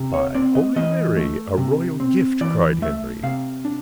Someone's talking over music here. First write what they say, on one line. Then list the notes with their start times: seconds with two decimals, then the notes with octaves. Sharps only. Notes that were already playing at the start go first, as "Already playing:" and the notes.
"By holy Mary, a royal gift!" cried Henry.
Already playing: C3
0.14 C#5
0.35 C4 D5
0.55 D#5
0.76 E3 D#5
1.17 A3
1.58 C3
2.00 C4
2.41 E3 D5
2.82 A3 E5
3.23 C3 F5
3.65 D4